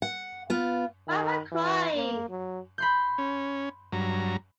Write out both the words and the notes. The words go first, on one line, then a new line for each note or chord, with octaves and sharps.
Why am I crying?
F#5
B3 F4
D#3
E3
A#3
F#3
B5 C6 G6
C#4
G2 F#3 A#5